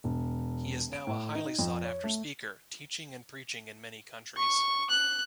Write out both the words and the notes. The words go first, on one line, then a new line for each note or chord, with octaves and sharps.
He is now a highly sought after speaker, teaching and preaching in many countries.
E1
D7
A2
D#4
F2
C#5
A3
C#6
F#6